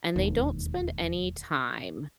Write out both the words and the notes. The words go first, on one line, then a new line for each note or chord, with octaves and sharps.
and they don't spend any time
E1 D#2